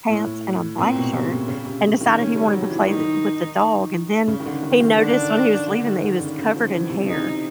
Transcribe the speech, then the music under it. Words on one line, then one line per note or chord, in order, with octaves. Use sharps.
pants and a black shirt, and decided he wanted to play the with the dog, and then he noticed when he was leaving that he was covered in hair,
A2
A#2 C4
B2
C3
C#3
C#3
C3
C#3
D#3
C#4
G3
F#3
E3
E3
D#3 D#4
C#3
D#3
D3
D#3
D#3
D3 D4
D3
D#3
D3
C#3
C#3
F3
E3
C3
D#4